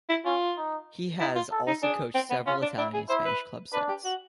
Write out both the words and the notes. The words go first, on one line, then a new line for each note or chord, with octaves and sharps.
He has also coached several Italian and Spanish club sides.
E4
C#4 F4
D#4
D#4 E4
F4
A4
D#4
D4 G#4
C4
B3
C#4 F4
D4
D4 E4
G#4
E4 C5
B4
D4 B4
G4
F#4